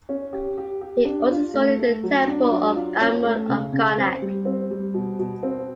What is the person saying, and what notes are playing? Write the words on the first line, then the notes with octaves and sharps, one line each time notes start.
He also studied the temple of Amun at Karnak.
C#4
G4
G4
G4
D4
F4
A3
A3
F#3
D4
F#3
F4
C#4
A3
C#3
C#3
C4
G3
C4
G3
B2
B2
C4